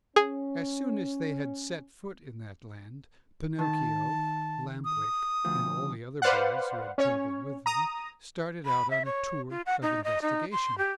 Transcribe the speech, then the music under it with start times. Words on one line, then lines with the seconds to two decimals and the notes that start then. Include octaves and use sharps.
As soon as they had set foot in that land, Pinocchio, Lamp-Wick, and all the other boys who had traveled with them started out on a tour of investigation.
0.16 C#4 G#4
3.59 D#3 A5
4.85 D#6
5.45 D2 F3
6.22 B4 C5 D5 F5 F#5
6.98 C#4 C#5
7.66 A#5 D#6
8.66 B5
8.91 E5
9.05 C#5
9.50 F4
9.66 F#5
9.82 D#4
10.04 D#5
10.22 D#4
10.52 C6
10.78 G4